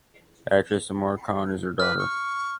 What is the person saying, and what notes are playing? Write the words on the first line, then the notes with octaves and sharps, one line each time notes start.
Actress Amar Khan is her daughter.
B4 F6
C#6